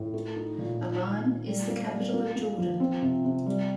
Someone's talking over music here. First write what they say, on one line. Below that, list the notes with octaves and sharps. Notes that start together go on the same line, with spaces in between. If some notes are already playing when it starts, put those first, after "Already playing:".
Amman is the capital of Jordan.
Already playing: A2
A3
D#4
A#2
D#3
D#3
D#3
G3
A#3
G3
A#3
A#3
F3
C4
C3
C3
G3